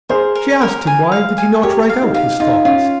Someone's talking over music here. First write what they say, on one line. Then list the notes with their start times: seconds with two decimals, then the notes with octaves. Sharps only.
She asked him why did he not write out his thoughts.
0.09 G#4 A#4 C5
0.35 A#4
0.62 A#4
0.87 G#5
1.12 F5
1.38 G#5
1.63 G4 A#4 C#5
1.89 F5
2.02 D#4 G4
2.14 F5
2.40 D#4 F4
2.65 C#4 F4